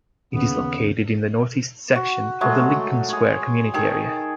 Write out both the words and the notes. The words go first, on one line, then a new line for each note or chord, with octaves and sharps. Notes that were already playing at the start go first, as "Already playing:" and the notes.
It is located in the north east section of the Lincoln Square community area.
D#2 C#3 B3
F#4
F#3 G#3 A3
G#4 C#5
D#3 G#4 A4 G5